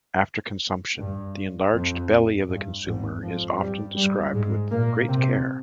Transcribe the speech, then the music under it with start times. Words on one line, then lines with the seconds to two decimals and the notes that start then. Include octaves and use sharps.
After consumption, the enlarged belly of the consumer is often described with great care.
1.00 G2
1.74 F2
2.49 G2
2.85 G#1 G#2
3.22 F2 F3
3.60 G2 G3
3.97 G2 G3
4.34 G#2 G#3
4.71 A#2 A#3
5.08 C3 C4